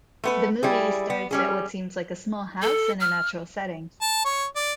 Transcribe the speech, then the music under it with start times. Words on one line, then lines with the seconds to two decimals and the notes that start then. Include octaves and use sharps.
The movie starts at what seems like a small house in a natural setting.
0.24 A3 B3 B4
0.63 G3 E4 G#4
1.10 B3
1.31 G3 C#4 G#4
2.62 A4
3.00 F6
4.01 A5
4.25 C#5
4.55 D5